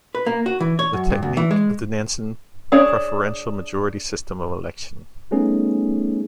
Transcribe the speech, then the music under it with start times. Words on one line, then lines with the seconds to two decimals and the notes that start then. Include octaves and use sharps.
The technique of the Nanson preferential majority system of election.
0.15 B4
0.26 A#3
0.46 F#4
0.60 E3
0.79 C#5
0.93 F#2
1.10 G2
1.23 D2
1.37 E3
1.51 G#3
2.72 D4 G#4 C#5
5.31 G3 A3 B3 C#4 D#4 G#4